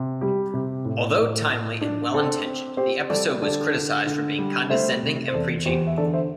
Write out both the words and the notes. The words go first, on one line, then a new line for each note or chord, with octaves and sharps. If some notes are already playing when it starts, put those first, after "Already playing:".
Although timely and well-intentioned, the episode was criticized for being condescending and preachy.
Already playing: C3
G3 G4
C3
A2
A2
A2
D4
C4 A4
C4
C4 G4 C5
G3 A4 D5
D3 A4 D5
D3
D3
G3
A3 C5 E5
C3
C5
E2 A4 D5
E2 G4 C5
E5
D3 A4 D5
C5 E5